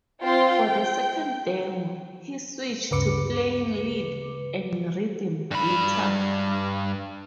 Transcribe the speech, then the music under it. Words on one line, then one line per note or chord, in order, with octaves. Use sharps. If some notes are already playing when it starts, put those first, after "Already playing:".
For the second demo, he switched to playing lead and rhythm guitar.
C4 F4 G5 C6
G5
D2 G2 C#3 B4 D6 C#7
G2 B5